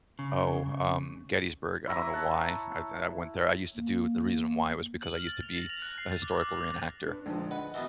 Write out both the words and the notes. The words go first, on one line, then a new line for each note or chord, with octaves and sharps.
oh, um, Gettysburg. I don't know why I've and I went there. I used to do the reason why was because I used to be a historical reenactor,
C#3
E4 C#5 E5 A#5
F#5 A5
A#3
F#7
F6
A6
F7
A#6
F7
F#6
C7
A6
D6
D6
F7
D4 B4
A#1 D3 F3 G#3
B4 D#5 F#5
B2 D#3 E3